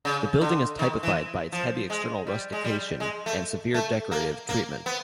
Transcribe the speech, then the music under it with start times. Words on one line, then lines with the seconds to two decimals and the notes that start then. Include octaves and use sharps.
The building is typified by its heavy external rustication and severe decorative treatment.
0.05 C#3
0.41 D3
0.79 D#3
1.03 E3
1.52 F3
1.90 G#3
2.27 G3
2.53 G#3
2.64 G3
3.00 G#3
3.26 A3
3.74 A3
4.11 A#3
4.49 A#3
4.86 B3